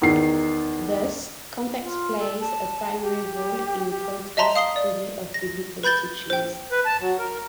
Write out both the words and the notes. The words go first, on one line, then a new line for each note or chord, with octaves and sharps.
Thus, context plays a primary role in Poythress's study of Biblical teachings.
E2 D#3 C7
F4
A4
A5
G4
G4
D#5 E5 A5 A#5 C6
F5 D#6 C7 G7
D5
A#6
B4 B5 G6 A6 G7
C5 G5
B4
A5
F#3
A#4